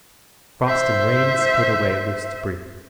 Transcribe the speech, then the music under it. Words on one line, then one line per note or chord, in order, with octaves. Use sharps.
Frost and rain split away loose debris.
C5 E5